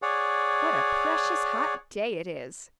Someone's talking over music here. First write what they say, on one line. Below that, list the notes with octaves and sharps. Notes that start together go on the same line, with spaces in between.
"What a precious hot day it is!"
G#4 C#5 D5 F#5